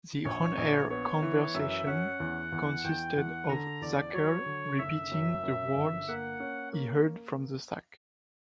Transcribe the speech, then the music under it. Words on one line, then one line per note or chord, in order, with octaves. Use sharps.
The on-air conversation consisted of Zacherle repeating the words he heard from the sack.
A#1 C#5
A#1
B3 C#5
E3
F#2 E5
C#4 F#5
E2
E2
E2 G5
E2 F#5
D3 A#5
E2 D5
F#3 C#5
D3
F#1 E5
F#2
F#2
G1
A#3 F#5
C#4
A#3